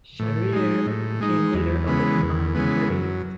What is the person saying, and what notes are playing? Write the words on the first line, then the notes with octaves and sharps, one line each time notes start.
Sjahrir became leader of the combined party.
A2
G#3 D#4
A2
G#3 D#4
E2
C#3 E3 G#3 B3
E2
C#3 E3 G#3 B3
F#2